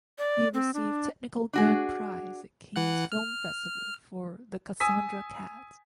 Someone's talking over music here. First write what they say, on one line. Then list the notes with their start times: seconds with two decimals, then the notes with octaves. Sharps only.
He received Technical Grand Prize at Cannes film festival for "The Cassandra Cat".
0.18 D5
0.54 C4
0.74 D4
1.53 D4 F#4 G#4
2.76 E3 F#5 F#6
3.12 F6
4.80 G#5 D#6 E6 B6